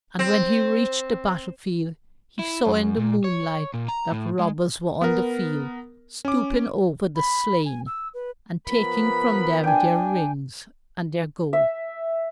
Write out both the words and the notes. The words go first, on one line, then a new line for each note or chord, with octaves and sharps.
And when he reached the battle-field, he saw in the moonlight that robbers were on the field stooping over the slain, and taking from them their rings and their gold.
C4
E4
F#2
A#2
C#5
A#2
A#5
A2
G#3
B3 A#4
C#4 D6
B5
G#5
E6
B4
F3 B3 A#4 B5
D4 G5 G#5
E5